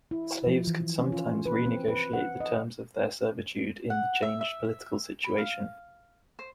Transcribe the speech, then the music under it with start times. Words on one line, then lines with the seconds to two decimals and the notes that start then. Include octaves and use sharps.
Slaves could sometimes renegotiate the terms of their servitude in the changed political situation.
0.11 E4
0.47 F3
0.67 E3
0.99 C#4
1.12 F4
1.46 B4
1.66 C4
1.88 B4
2.13 F#5
2.40 D#5
3.90 F#5
4.22 E5
4.41 E5
4.64 E5
5.24 B5
5.38 F5
6.39 C5